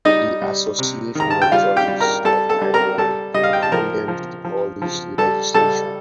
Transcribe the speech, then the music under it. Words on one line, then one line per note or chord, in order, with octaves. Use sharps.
The Association of Judges of Ireland condemned the Polish legislation.
G3 D#4 D#5
G3
C3
D#3 A#5
A5
G5
G3 F4 F5
G4 G5
G3
A#4 A#5
G3 A4 A5
A4 A5
G3
A#4 A#5
G3 A4 A5
G3 D#5
F5
G5
A5
F3 A#4 A#5
F3
F3
F3
G3 A4 A5
G3 A4 A5